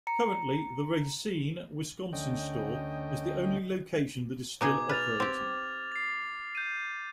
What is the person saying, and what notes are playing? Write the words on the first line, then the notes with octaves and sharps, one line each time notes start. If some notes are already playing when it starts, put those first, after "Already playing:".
Currently, the Racine, Wisconsin store is the only location that is still operating.
A#5 C#7
D2 D3 C#4 D#5 G5
B2 D#4 G#4 D6 G#6
B4 F6 A6 F7
C4 G4
A6 C7
G6 D#7